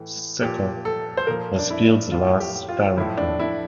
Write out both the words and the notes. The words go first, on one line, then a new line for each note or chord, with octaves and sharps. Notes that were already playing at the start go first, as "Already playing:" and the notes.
"Sucker" was Fields' last starring film.
Already playing: A2 E3
A#2 F3 G4
A4
C5
A#2 F3 A#4
D4
E4
A2 F3 F4
G4
F4
A2 F3 E4
D4
E4